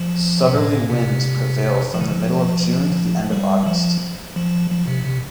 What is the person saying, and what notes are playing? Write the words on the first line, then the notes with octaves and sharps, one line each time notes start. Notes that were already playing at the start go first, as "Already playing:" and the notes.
Southerly winds prevail from the middle of June to the end of August.
Already playing: F3
C3
A2
C3
F3
D3
F3
G3
F3
F3
F3
C3
C3